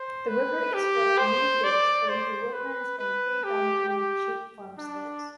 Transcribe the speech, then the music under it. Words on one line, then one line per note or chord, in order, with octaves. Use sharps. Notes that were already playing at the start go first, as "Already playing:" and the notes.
The river is fed from many gills cutting through woodland and predominantly sheep farmsteads.
Already playing: C5
B4
G4
C5
D5
C5
B4
B4
G4
G4
D4